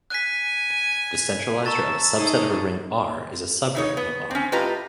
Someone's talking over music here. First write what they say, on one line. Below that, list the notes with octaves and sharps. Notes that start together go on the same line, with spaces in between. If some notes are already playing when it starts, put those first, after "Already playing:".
The centralizer of a subset of a ring "R" is a subring of "R".
G#5 F#6 B6
A5 A#5 C#6 E6 A6
D#4 G#4 A4
C#3 D#4 C#5
B3
C4 C#4
A2 F4 G4 B4 D#5 A#5